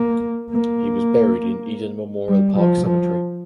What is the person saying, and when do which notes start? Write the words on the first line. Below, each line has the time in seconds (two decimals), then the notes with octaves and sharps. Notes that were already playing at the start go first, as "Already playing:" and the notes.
He was buried in Eden Memorial Park Cemetery.
Already playing: A#3
0.51 A#3
2.28 G3
2.57 F3
2.86 F3